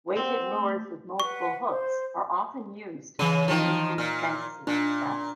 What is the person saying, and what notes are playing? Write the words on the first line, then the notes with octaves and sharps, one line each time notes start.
Weighted lures with multiple hooks are often used to increase chances of success.
C4 C5 F#5 G5
A3
B4 F#5 C#6
C5
C#3 E3 D#7
D#3 F3
A#2 F6
A#2 D4